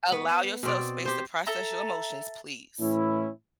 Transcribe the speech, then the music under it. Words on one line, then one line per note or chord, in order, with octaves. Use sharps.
Allow yourself space to process your emotions, please.
B3
B2 C4 D5
G4 C5
A4 E5 A#5
A2 E3 C#4 E4